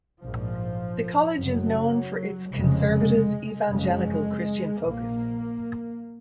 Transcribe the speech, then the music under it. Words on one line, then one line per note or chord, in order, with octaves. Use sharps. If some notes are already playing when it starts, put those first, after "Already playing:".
The college is known for its conservative evangelical Christian focus.
A#1 G#2 F3
F#1 F#2 C#3 F#3
F1 F2 C#3 G#3
F#1 F2 C#3 G#3
A#1 A#2 A#3